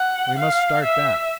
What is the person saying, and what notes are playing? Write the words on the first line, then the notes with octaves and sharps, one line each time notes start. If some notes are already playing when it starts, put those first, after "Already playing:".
We must start back.
Already playing: F#5
F5
E5